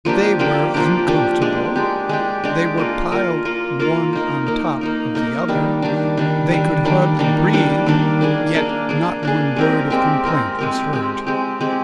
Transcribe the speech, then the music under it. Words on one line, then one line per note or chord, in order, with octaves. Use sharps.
They were uncomfortable, they were piled one on top of the other, they could hardly breathe; yet not one word of complaint was heard.
F3 A#3 D4 G4
F3 A#3 D4 G4
F3 A#3 D4 G4
F3 A#3 D4 G4
G#3 D4 G4
G#3 D4 G4
G#3 D4 G4
G#3 D4 G4
A#3 F4 A#4
A#3 F4 A#4
A#3 F4 A#4
A#3 F4 A#4
A#3 D#4 A#4
A#3 D#4 A#4
A#3 D#4 A#4
A#3 D#4 A#4
D#3 G3 D4
D#3 G3 D4
D#3 G3 D4
D#3 G3 D4
D#3 G3 A#3 D4
D#3 G3 A#3 D4
D#3 G3 A#3 D4
D#3 G3 A#3 D4
A#3 D4 G#4
A#3 D4 G#4
A#3 D4 G#4
A#3 D4 G#4
G#3 C4 G4 A#4
G#3 C4 G4 A#4
G#3 C4 G4 A#4
G#3 C4 G4 A#4
G#3 C4 G4
G#3 C4 G4
G#3 C4 G4